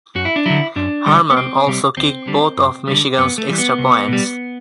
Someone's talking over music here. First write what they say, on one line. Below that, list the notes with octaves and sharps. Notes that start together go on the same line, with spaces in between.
Harmon also kicked both of Michigan's extra points.
F#2 F#4
E4
D4
D3 F#3 E4
F#2 D4
D3 G3
B3
C2 C4
C3 G3
D2 C4
D3 G3
F#2
D3 G3
F#2 B3
A3
E3 G3
B3
C2
B2 G3